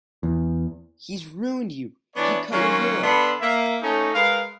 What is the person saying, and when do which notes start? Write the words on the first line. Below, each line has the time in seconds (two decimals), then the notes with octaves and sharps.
'He's "ruined" you-he cut your hair off!
0.23 E2
2.16 E3 B3 D4 C#5 D5
2.52 D#3 F#3 A#3 C4 C#4
3.03 D3 B3 D4 A4 B5 C6
3.41 A#3 E5
3.82 A3 C#4 D#4
4.14 G#3 A#4 B4 F5